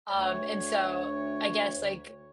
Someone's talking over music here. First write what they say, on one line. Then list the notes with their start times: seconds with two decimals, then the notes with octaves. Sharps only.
um, and so, I guess, like
0.10 D2 C#5